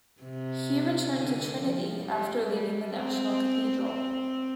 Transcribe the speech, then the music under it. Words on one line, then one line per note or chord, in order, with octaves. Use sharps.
He returned to Trinity after leaving the National Cathedral.
C3
D3
F3
G3
G3
C4
C4